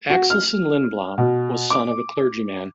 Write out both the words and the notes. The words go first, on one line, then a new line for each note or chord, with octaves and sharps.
Axelsson Lindblom was son of a clergyman.
F#4
F6
B2
D6